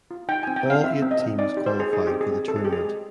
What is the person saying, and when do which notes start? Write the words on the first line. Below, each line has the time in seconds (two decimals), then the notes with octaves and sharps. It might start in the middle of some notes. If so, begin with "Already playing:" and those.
All eight teams qualified for the tournament.
0.11 F4
0.29 D#4 G5
0.43 G#5
0.48 C4
0.56 G5
0.65 C4 F5
0.84 C4 E5
1.02 C4
1.11 D#5
1.20 C4
1.38 D#4 D5
1.57 G4
1.66 C5
1.75 G4 G#4
1.93 D#4 G#4
2.07 G4
2.11 C4
2.21 G#4
2.30 C4
2.48 C#4 A4
2.56 G#4
2.65 C#4 G4
2.73 G#4
2.84 G#3